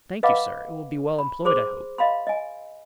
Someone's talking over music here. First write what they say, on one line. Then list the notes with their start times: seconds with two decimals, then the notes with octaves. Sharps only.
"Thank you, sir; it will be well employed, I hope."
0.23 B4 D#5 F5 F#5 B5 D6
1.19 B5
1.45 G#4 C5 C6 D6
1.98 D#5 F5 B5 C6
2.27 D#5 G#5